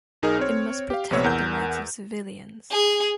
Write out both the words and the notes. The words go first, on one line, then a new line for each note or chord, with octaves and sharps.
It must protect the rights of civilians.
B1 D#4 G#4 A#4 F6
C4 C#5
G4 F5
A#1 C3 B3 C#5 E6
E2 A#4 F#5 G6
G#4